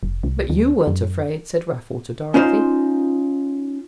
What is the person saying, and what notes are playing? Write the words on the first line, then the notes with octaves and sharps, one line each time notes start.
"But you weren't afraid," said Raffle to Dorothy.
F1
C2
D#2
F#2
C#4 D#4 F4 C5